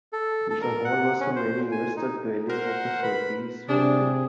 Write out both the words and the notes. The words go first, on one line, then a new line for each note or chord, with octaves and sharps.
The Hall was for many years the dwelling of the Surtees family.
A4
A4
A#4
F#5
C#4
C5
G#5
D#4
A#4 C5 F#5
B4 B5
C3 D4 G#4